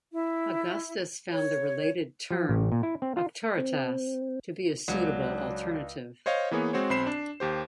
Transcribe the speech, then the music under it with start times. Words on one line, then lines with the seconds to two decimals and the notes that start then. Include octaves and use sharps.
Augustus found the related term "auctoritas" to be a suitable alternative.
0.13 E4
1.31 C#5
2.31 F3
2.49 A1
2.72 A#2
2.83 E4
3.02 C4
3.17 F4
3.58 C4
4.88 C#2 F#3 D4
6.26 C5 C#5 D#5 F5
6.51 E3 A#3 B3 G#4 C#5
6.73 G#3 C4 F#4 C5 C#5
6.90 B1 C4 B5 C7 E7
7.07 D4
7.40 D#2 G4 C5